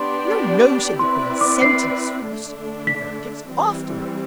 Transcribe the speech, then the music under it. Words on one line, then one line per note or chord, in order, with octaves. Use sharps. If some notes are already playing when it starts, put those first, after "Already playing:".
'No, no!' said the Queen. 'Sentence first--verdict afterwards.'
Already playing: B3 D4 G4 D5 C6
C4 E4 B4 D5 C6
D6
C7
D3 A3 D4
B6
E3 G3 C4